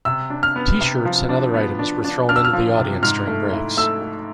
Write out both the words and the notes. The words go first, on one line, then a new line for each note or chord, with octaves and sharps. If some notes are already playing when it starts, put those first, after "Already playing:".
T-shirts and other items were thrown into the audience during breaks.
C3 E6
D4
F6
B3
C3
F3
D4
B3
D4
D4
D4 F6
E6
F6
F3
C3
G#2 F6
A3
E4
A3 E6
A3